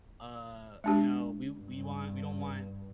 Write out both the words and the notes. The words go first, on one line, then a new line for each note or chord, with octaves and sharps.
uh, you know, we we want we don't want
G#3 D4 G4
G2